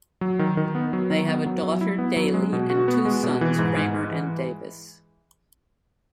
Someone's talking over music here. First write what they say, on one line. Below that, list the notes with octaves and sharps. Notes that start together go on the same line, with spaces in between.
They have a daughter, Daley, and two sons, Kramer and Davis.
F#3
D#3
D#3
B3
F#3
D#3
B3
F#3
F#3
E4
B3
F#3
G#3
B2
F#4
B3
G#3
B2
E3
G#2
G#2
G#3
E3